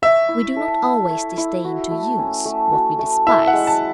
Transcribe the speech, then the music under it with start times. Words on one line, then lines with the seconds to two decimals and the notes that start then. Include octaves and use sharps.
We do not always disdain to use what we despise.
0.02 C#5 E5
0.29 E4
0.56 A4
0.83 E4
1.10 C#5
1.38 E4
1.64 F#4
1.91 A3
2.18 C#4
2.45 A3
2.72 F#4
2.99 A3
3.26 E4 E5
3.47 F#5
3.53 G#3
3.67 A5